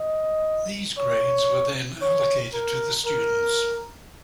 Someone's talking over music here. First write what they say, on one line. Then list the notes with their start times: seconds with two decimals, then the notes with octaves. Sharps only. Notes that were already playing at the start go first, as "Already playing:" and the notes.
These grades were then allocated to the students.
Already playing: D#5
0.98 C#5
2.02 C#5
2.53 A#4
3.06 A#4